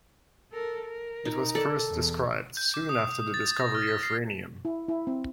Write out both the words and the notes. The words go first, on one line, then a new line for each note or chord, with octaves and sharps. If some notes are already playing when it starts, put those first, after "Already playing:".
It was first described soon after the discovery of rhenium.
A4 A#4
A#4
D#4
A4 D5
E2
G6
D6
D#6
D6
D#6
A6
A6
A#6
F6
B6
C7
E4
E4
C4